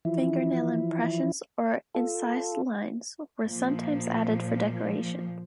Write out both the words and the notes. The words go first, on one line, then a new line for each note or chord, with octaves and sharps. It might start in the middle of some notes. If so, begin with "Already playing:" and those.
Fingernail impressions or incised lines were sometimes added for decoration.
E3 F3 E4
F4 A4
A#2 F3